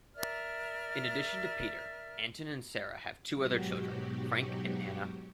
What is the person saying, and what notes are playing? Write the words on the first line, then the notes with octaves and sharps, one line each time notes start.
In addition to Peter, Anton and Sarah have two other children, Frank and Anna.
A#4 D5 E5 F6
G#2 B2 F#3 F#4 G4